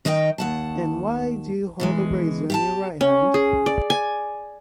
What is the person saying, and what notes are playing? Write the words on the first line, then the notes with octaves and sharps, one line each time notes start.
And why do you hold a razor in your right hand?
D#3 D#4 D#5 E5 G5
D#2 F#5 A5
B2 E3 G#3
G4 F5 A5
C#4
G#4
D5
G#5